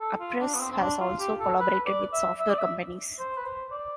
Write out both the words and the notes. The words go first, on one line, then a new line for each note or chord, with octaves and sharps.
Apress has also collaborated with software companies.
A4
F4
D4
B3
C4
C4
D4
F4
G4
A4
B4
D5
E5
E5
D5
E5
C5
B4
C5
D5